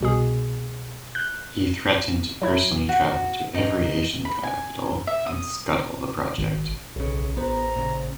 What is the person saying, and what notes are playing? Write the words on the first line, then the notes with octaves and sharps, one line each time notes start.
He threatened to personally travel to every Asian capital and scuttle the project.
C2 B2 G#4
F#6 G6
F#3 E4 G#6
F#4
D#4
B5
G#5
E5
D#6
G#1
D1 B1 C#3
A1 B3 C5 A#5
A#2 C#3